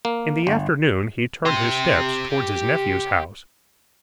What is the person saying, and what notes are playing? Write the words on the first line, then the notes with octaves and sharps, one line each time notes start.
In the afternoon he turned his steps towards his nephew's house.
A#3
G1
G4 C6